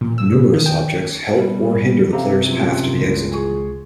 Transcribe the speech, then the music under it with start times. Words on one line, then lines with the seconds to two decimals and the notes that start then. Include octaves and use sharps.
Numerous objects help or hinder the player's path to the exit.
0.01 A#2
0.18 E6
0.32 B2
0.54 D#3
0.66 G5
1.34 B2 G3
2.13 C3 G4 A4 F5 A#5
2.48 F#2 F4
2.97 C#2 G2 E3
3.31 G#4 C#6